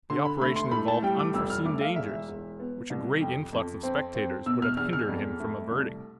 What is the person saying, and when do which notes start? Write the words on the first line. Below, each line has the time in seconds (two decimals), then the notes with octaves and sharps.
The operation involved unforeseen dangers, which a great influx of spectators would have hindered him from averting.
0.10 D3 C6
0.25 B5
0.41 A3 B5
0.56 C6
0.71 A2 B5
0.88 A5
1.03 G3 G5
1.19 D6
1.34 F1 E6
1.50 F6
1.65 A3 D6
1.81 F5
1.96 E1 E5
2.28 E1
2.60 B3
2.90 C2
3.21 F2 G5
3.53 F2
3.83 C4
4.15 C4
4.46 B2 E6
4.62 F6
4.77 E2 F6
4.93 F6
5.09 F2
5.40 A3
5.71 C2